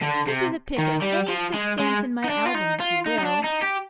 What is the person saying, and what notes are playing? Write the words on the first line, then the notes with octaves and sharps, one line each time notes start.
"I'll give you the pick of any six stamps in my album if you will."
D3
C3
D#3
G3
F3
G#3
G#3
D#4
D4
F4
D#4
F4
D#4
D#4
D4
D#4
G4